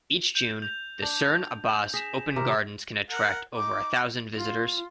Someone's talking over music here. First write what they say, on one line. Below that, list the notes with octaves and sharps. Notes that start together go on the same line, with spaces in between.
Each June, the Cerne Abbas Open Gardens can attract over a thousand visitors.
G6
G6 F7
D4
G#4 A#6 B6 E7
C3 D#3 A#4 D6
A#4 F#5
D#4 D6
F4